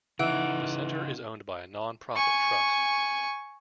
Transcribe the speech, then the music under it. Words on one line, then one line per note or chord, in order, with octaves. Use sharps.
The centre is owned by a non-profit trust.
C#3 E3 D#4 F#5 D7
G#5 C#6